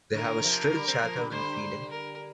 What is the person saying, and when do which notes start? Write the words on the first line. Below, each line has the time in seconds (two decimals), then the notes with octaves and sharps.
They have a shrill chatter when feeding.
0.14 D3 A#4
0.40 D3
0.44 C3 F3
0.67 A#3
0.73 D3 G3
0.87 G3 C4
1.02 F3 A#3
1.16 D3 G3
1.31 D3 G3 C5
1.90 A#4